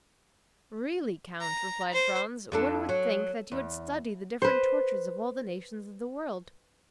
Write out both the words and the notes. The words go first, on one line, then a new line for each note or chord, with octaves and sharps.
"Really, count," replied Franz, "one would think that you had studied the different tortures of all the nations of the world."
A#5
C5
F2 D4 A4
F#3
E2
B4 C5